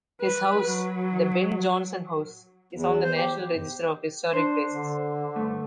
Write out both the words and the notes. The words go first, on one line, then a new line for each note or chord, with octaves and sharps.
His House, the Ben Johnson House, is on the National Register of Historic Places.
B4
F#3
E2
C5
G4
D4 C5
D3
G2 A3